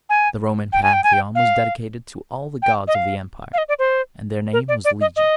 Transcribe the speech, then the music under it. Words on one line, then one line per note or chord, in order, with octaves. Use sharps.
The Roman Pantheon was dedicated to all the gods of the Empire, and their name was legion.
G#5
G5
G#5
G5
G#5
G5
F5
G5
D#5
F5
F5
D#5
D5
C5
A#4
D5
D5
D#5
D#5